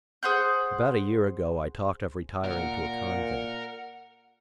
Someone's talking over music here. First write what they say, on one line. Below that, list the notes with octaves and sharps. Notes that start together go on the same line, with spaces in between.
About a year ago, I talked of retiring to a convent.
G#4 C5 F#5 G6
A#2 A#4 F#5